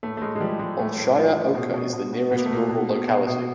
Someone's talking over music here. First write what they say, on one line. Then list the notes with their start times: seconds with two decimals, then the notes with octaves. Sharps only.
Bolshaya Oka is the nearest rural locality.
0.03 A2 A3
0.17 A3
0.22 A2 G#3
0.36 G#3
0.40 F3 G3
0.59 F3 G#3
0.79 A2 A3
0.98 A2
1.18 F3
1.36 F3
1.55 B2
1.74 B2
1.93 B2
2.13 B2
2.31 B2 B3
2.38 A#3
2.46 A3
2.51 B2 A#3
2.70 B2
2.89 B2
3.08 B2
3.27 B2